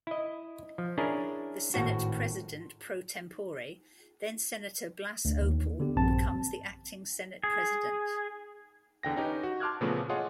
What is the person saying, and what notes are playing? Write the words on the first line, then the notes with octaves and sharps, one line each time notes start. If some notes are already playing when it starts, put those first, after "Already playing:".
The Senate President Pro-Tempore, then Senator Blas Ople becomes the Acting Senate President.
E4 D#5
F3
C#4 D4 E4 G#4 A#4
G#1 A2 F#4
D2
D#2
D3 B3 G4
A#1 G2 C4 A5
G#4
E2 D3 G5 A#6
C#4 D#4 G4 B4
F#4
A5 C6 D6 F6 F#6 G#6
A#2 C#3 E3 F3 A3 B3
F4 G#4 C#5 D#5 F#5 C6